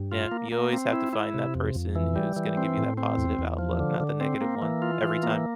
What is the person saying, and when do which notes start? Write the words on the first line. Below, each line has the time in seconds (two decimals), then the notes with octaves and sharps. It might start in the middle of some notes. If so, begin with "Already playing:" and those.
Yeah, you always have to find that person who's gonna give you that positive outlook, not the negative one, every time.
Already playing: G2
0.12 F4
0.32 A#3
0.52 A#3
0.73 C4
0.93 E4
1.13 E4
1.34 C3
1.55 F2
1.75 F2
1.96 E3
2.16 G3
2.36 E3
2.57 C4
2.78 A2
2.97 C4
3.18 E2
3.39 E2
3.59 F3
3.80 D3
4.00 D3
4.21 C4
4.41 A#3
4.62 E3
4.82 F4
5.03 E3
5.23 A#3